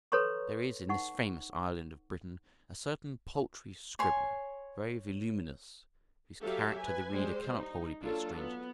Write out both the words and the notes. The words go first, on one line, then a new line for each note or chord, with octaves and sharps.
There is in this famous island of Britain a certain paltry scribbler, very voluminous, whose character the reader cannot wholly be a stranger to.
A4 B4 C#5 A#5 C6 C#6
D#4 F#5 C#6
C#5 G#5 C6
F#3 G4 A4 E5 F5
B4 G#5
G3 G#3 C5
D#4
F#3 A#3 D4 F4 A4
B3